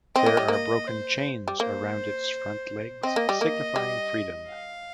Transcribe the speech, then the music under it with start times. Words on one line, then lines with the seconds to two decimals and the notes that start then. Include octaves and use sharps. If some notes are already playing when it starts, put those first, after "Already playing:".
There are broken chains around its front legs, signifying freedom.
0.15 C4 D#5
0.26 A#3
0.37 G3
0.48 A#3 D#5
0.87 C5
1.48 G3
1.60 A#3 C5
3.03 C4 D#5
3.16 A#3
3.29 G3
3.41 A#3
3.76 G3
4.48 F5